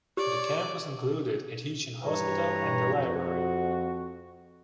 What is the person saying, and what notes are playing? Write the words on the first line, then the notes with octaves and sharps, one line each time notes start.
The campus included a teaching hospital and a library.
G4 C#5 D5
G2 E3 G4 B4 C#5 A#5
F2 F#4